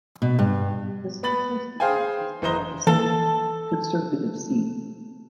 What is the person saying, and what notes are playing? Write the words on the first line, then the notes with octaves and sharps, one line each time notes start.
The seat's history is that of a safe Conservative seat.
B2
G2
B3 B5 A6 F#7
G#4 C5 F5 G5 G#5
F#1 E3 C5 D#5 A#5 G7
E3 A#3 A4